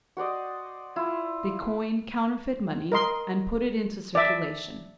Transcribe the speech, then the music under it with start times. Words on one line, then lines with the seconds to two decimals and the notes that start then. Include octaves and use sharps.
They coin counterfeit money, and put it into circulation.
0.17 F#4 C5 D5 D#5
0.96 E4 F4
2.92 A#4 D#5 C6
4.15 D5 E5